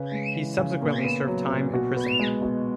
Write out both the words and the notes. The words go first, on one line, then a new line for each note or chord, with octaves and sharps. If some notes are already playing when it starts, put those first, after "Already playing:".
He subsequently served time in prison.
Already playing: C#3 B4
G#3
E3
C#3
A#2 A#4
B3
F#3
A#2
B2 F#4
B3
G#3
B2